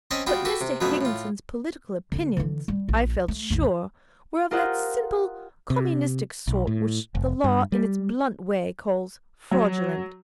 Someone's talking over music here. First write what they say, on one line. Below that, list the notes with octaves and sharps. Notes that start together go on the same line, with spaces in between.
But Mr. Higginson's political opinions, I felt sure, were of that simple communistic sort which the law in its blunt way calls fraudulent.
C4 C#4 D#5 G#5 A5 B5
G3 B3 F4 F#4 G5
F#4 G4 A4 B4
C3
F2 B2 F#3 A3 B3 C#4
A2 F4
D3 B3
D3 E3
G3
A#1
A3
A1 D#2
F4 G4 A#4 C5 D#5 F#5
C3
B1
A2
F1
G2
G3
F#3